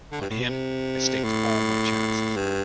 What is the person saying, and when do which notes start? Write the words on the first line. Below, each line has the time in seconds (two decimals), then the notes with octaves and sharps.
On him I staked all my chances.
0.12 D3
0.21 G2
0.30 A2
0.40 B2
0.50 C3
1.24 A2
2.36 G2